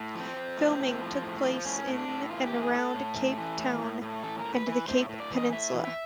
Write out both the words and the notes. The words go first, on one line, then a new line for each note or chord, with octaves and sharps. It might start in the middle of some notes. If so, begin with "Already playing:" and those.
Filming took place in and around Cape Town and the Cape Peninsula.
Already playing: A2
F3
C4
F3
A2
A2
F3
A2
F3
A2 C#4
A2
D4
A2
E3 F4
A2 G4
G#4
A2 G#4
A4
A2
E3
E3
A2
A2
A2
E3 A4
A#4
A2
B4
E3
B4
A2 C5
A2
D5
E3
D#5
A2 E5
E3
E5